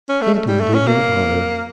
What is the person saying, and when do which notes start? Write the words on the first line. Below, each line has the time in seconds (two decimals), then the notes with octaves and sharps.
Canton did him honor.
0.09 C#4
0.22 A3
0.34 A3
0.47 G3
0.60 A3
0.74 C#4
0.87 A#3